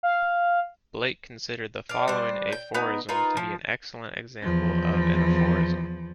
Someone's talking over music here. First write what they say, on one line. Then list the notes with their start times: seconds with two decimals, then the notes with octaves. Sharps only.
Blake considered the following aphorism to be an excellent example of an aphorism.
0.03 F5
1.89 D5 F5
2.08 G3 D4 C5
2.52 G5
2.74 B3 D#4
3.09 D#4 F4 A#4 B4
3.37 F3
4.42 E2 F3